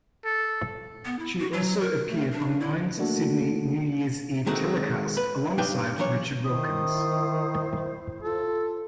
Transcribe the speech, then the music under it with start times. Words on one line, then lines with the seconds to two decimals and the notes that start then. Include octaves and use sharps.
She also appeared on Nine's Sydney New Year's Eve telecast alongside Richard Wilkins.
0.25 A4
1.05 B3
1.19 E4
1.38 F#4
1.53 F#3
1.81 A#4
2.08 A3
2.31 D4
2.61 E4
2.98 A3 A#3 D4 F#4 A4
4.47 D#3 G#3 A3 C4 F#4
5.17 B4
5.58 G2 D4 D#4 B4 F5 G5
5.98 E3 F#3 D4 C#5
6.45 D#3 E4 C5 D#6
8.23 F4 A4